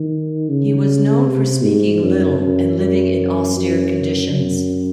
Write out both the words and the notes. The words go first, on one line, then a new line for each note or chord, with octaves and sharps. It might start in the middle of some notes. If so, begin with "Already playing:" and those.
He was known for speaking little and living in austere conditions.
Already playing: D#3
C#3
C3
G#2
F#2
F#2
F#2
F#2
F#2